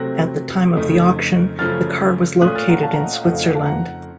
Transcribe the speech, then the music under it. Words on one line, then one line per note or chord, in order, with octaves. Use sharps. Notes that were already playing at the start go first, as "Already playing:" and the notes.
At the time of the auction, the car was located in Switzerland.
Already playing: C3 F#3 A3 C4 F#6 A#6
F2 C#3 A3 D#4
F#2 C#3 F3 A3 F6 A6
A#2 A3 C#4 F4 D#6 F#6
F6 A6
F#5 A#5
F5 A5
F#5 A#5
D#5 F#5
F5
F2 C#3 F3 A3 D#4 D#5 F#5
F5
D#5 F#5
F5 A5
F#5 A#5